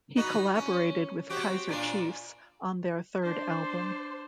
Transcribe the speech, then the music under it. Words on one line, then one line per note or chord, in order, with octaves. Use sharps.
He collaborated with Kaiser Chiefs on their third album.
B3 D#4 F#4
C#4
C4 F#4 G4
A#2 D4 F4
D4 C5